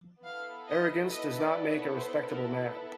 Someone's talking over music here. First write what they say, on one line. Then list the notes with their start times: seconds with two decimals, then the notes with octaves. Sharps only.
Arrogance does not make a respectable man.
0.24 B3 E4 A4 F5
0.68 D#5
1.10 D#5
1.39 D5
1.68 C#5
1.97 C5
2.26 A#4
2.54 B4